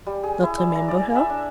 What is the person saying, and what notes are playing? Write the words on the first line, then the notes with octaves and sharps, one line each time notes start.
Not remember her?
G3
G#4
E4
D5
A#5
D5
G#5
E5
D4